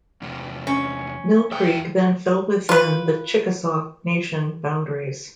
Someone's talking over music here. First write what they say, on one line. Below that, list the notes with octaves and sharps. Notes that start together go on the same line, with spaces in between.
Mill Creek then fell within the Chickasaw Nation boundaries.
E2 C3
C#4
E2 E5 G5
F4 B4